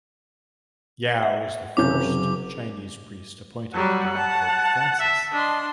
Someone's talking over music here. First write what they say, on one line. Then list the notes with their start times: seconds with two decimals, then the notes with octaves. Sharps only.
Yao is the first Chinese priest appointed by Pope Francis.
1.23 E5 F#5
1.77 F#1 C3 C#4 A#4 D6 G6
3.74 F#3 G3 F#5
4.18 A5
4.99 E5
5.32 D4 D#5 C6